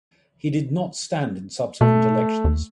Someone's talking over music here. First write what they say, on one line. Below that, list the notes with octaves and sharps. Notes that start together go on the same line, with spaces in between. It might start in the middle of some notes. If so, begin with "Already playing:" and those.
He did not stand in subsequent elections.
B2 A3
D#2